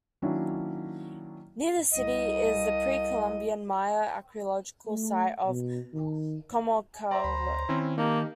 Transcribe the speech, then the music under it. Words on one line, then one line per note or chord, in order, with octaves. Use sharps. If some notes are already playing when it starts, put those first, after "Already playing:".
Near the city is the Pre-Columbian Maya archaeological site of Comalcalco.
D#3 F#3 A#3 C#4 D4 E4
C2 D#5
A3
B2
D#3
C5 D5 E5 A#5
D2 B5
D#3 C4 C#4 E4
A#3 D#4 G4 A5